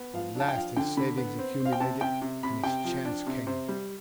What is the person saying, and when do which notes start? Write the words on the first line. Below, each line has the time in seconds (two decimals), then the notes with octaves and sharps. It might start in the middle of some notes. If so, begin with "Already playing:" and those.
But at last his savings accumulated, and his chance came.
Already playing: B3
0.14 F3 F5
0.35 D4 A5
0.48 G5
0.55 F3 F5
0.77 D3 G5
0.97 D3 B5
1.18 B3
1.39 C4
1.60 C4
1.66 F5
1.73 G5
1.80 C3 A5
2.01 C3 G5
2.22 C3
2.43 C3 B5
2.64 C3 G5
2.85 F3
3.05 D4
3.26 C3
3.47 C3 C5
3.68 G3